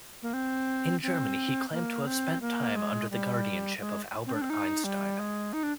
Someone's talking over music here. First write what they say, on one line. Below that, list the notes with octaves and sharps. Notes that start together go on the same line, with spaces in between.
In Germany, he claimed to have spent time under the guardianship of Albert Einstein.
A#3
C4
C4
A#3
C4
A#3
G#3
G3
G#3
C4
D4
C4
D#4
G3
G#3
D#4
D4